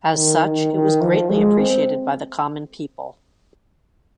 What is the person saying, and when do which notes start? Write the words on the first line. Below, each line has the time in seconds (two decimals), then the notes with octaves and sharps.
As such, it was greatly appreciated by the common people.
0.16 D#3
0.44 D#3
0.73 D#3
1.01 F3
1.30 G#3
1.59 C4